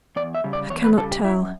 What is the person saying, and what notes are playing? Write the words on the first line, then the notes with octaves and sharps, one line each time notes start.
I cannot tell.
E2 D5
E5
C#3 G3
D5
E2 C#5
B4
C#3 G3 A4
G4
F#2 E4